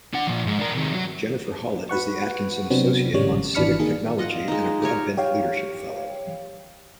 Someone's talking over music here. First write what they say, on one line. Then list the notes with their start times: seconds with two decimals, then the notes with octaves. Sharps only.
Jennifer Hollett is the Atkinson Associate on Civic Technology and a Broadbent Leadership Fellow.
0.14 D4 F#5
0.27 A#2 F3
0.46 G#2
0.59 D4 A#4
0.74 C3 D#3
0.93 F#3
1.89 F#4 B4 F#5 C#6
2.70 C3 F#3 B3 C4 D4
3.13 G#1 A2 C#3 G3 C#5
3.54 G#1 E3 D4 B5 F6 C#7
3.79 D#3 A#3 G#4
4.18 F4 D#5 F#5
4.48 G#3 D#4
4.82 G4 A#4 C#5 G#5
5.17 G4 C#5 F5 G5